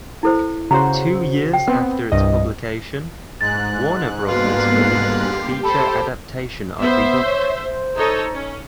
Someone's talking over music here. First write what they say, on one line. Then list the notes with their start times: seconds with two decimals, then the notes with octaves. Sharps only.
Two years after its publication, Warner Brothers released a feature adaptation of the book.
0.23 E4 A4 C5
0.71 C#3 F#4 C5 A#5
1.53 G5
1.68 B3 C4
2.12 C2 G2 D#5
3.41 G#2 F#6 A6
4.29 D3 G3 A#3 B3 F4 F#4 B4 F5
5.09 G4
5.63 A4 C5 A5 B5
6.79 B3 C5 E5
7.24 C#5
7.64 C5
7.97 D#4 A4 C#5
8.33 C#4